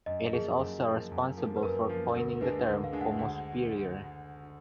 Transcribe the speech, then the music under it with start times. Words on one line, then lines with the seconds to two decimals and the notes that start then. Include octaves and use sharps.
It is also responsible for coining the term "homo superior".
0.06 F#2 D#5
0.33 F3 A#3 G#4
0.59 F#2
0.85 F3 A#3
1.11 F#2
1.37 F3 A#3
1.56 B4
1.62 F#2 A#4
1.89 F3 A#3
2.14 D2 A#4
2.41 D3 G#3 D4 B4
2.66 D2
2.84 F5
2.92 D3 G#3 D4
3.01 F#5
3.19 D2 F#5